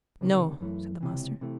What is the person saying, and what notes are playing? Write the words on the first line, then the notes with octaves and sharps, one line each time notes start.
"No!" said the master.
C#2 C3 D#3
F#2 E3 A3
C#2 C3 E3
C3 E3 A3